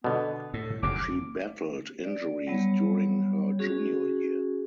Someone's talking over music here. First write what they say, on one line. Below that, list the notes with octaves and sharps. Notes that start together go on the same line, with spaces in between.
She battled injuries during her junior year.
B2 D3 B3
A2 A4
F#1 F2 C3 D6
D5
F#3 G3 B3 C#5
C#4 F#4 G#4